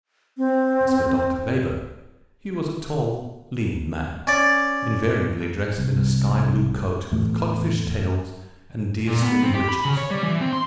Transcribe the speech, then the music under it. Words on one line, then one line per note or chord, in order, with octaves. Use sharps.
As for Dr. Weber, he was a tall, lean man, invariably dressed in a sky-blue coat with codfish tails and deerskin breeches.
C4
C#4 D5
C2
E2 A2 A3
A#2
B3
C4
G4
B5
C#3
C#5
G3
E3
C4
C6